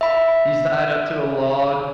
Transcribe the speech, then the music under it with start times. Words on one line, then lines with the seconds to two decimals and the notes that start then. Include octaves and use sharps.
he's tied up to a log,
0.01 E5 B5